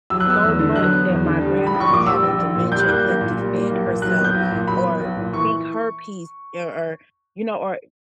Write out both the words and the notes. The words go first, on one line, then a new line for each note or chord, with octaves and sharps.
so much that my grandmother having dementia and couldn't defend herself or speak her piece or or, you know, or
F#3 E6
F#6
B3 E6
E2
D3
F#3 F#6
B3
E2
D3
G3
A#1
B5
A#1
C#6
A#2 D6
G3 E6
A#1
A#1
A#2
G3 G6
F#6
A#3 G6
B1
A#2
G3
A#3
B1
A#2
F#3 F#6
B3
G6
B1
A#2
F#3 B5
B3
B1
A#2
E3 C#6